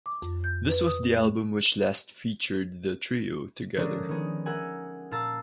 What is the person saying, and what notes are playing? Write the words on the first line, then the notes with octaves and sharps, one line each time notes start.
This was the album which last featured the trio together.
D6
F2
G6
B4
D#6
A3
D3 F3 G#3 C#4 D4 A#4
D#3 B3 G#4
G#4 A#4 E5 F#5 G#5
A#2 F5 A5 A#5 E6 A6